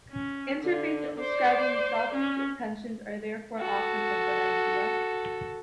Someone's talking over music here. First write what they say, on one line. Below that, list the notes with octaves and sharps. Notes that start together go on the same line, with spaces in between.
Interfaces describing the software’s intentions are therefore often a good idea.
C#4
D3
C5 D5
C#4
F#4 A4